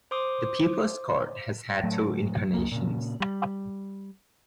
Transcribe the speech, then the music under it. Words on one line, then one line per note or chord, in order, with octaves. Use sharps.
"The People's Court" has had two incarnations.
C5 C6 D6 D#6
A2 F#3 A3
C#2 A#3
A#2 C#3
G3